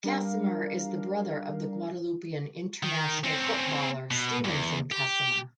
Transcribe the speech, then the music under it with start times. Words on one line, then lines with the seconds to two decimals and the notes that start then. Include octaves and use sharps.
Casimir is the brother of the Guadeloupean international footballer Stevenson Casimir.
0.04 G3 D4 A#4 F5
2.83 D#3
3.24 C4 C#4
4.11 B2
4.44 E2 G#2
4.92 G4